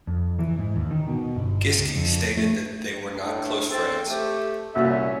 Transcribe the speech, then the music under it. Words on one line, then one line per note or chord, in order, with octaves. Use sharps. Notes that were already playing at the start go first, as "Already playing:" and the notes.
Giske stated that they were not close friends.
F2
E3
G#2
D#2
D#3
B2
G1
C#2
F2
A3
A2 D4
C4 A4
A3 G4
C2 A#2 C#4 F#4 E5